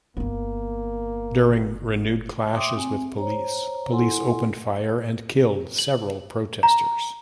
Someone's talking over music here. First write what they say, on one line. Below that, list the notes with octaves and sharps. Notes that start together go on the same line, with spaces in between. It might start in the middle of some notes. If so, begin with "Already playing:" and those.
During renewed clashes with police, police opened fire and killed several protesters.
G1 A#3 B3
E5 G5 C6 D6 D#6
C4 G#5
C5 C#5 A#5
E4 A4 F#5 G#5 C6
F#7
A#5